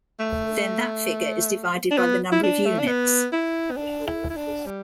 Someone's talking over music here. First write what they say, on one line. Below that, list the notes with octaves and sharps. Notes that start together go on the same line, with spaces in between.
Then that figure is divided by the number of units.
A3
D4
B3
E4
D4
A3
D4
B3
E4
B3
D4
E4
E4
D4
G3